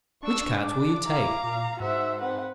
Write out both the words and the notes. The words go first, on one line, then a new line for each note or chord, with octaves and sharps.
Which cards will you take?
D4 C#6 E6
D6
E4 F5 A#5
A#2
G#2 F#4 C5 E5 F#5
C4 B4 F#5